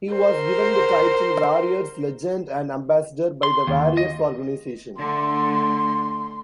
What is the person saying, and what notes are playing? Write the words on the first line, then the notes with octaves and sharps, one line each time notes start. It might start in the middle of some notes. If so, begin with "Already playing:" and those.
He was given the title "Warriors Legend and Ambassador" by the Warriors organization.
A#4 C5
C6
D#2
D#5
D3 A3 C6